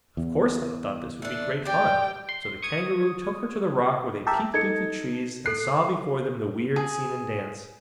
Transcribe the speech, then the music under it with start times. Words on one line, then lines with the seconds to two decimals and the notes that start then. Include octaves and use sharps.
Of course Dot thought this would be great fun, so the Kangaroo took her to the rock, where they peeped through the trees and saw before them the weird scene and dance.
0.17 E2
1.22 A3 D4
1.65 G4 D5 G5
2.29 C6
2.62 C#6 D#6 G#6
4.27 G4 A4 A#4 E5
4.54 D#4 A4 D#5 G#6 C#7
5.46 A4 F#6 C7
6.76 G#4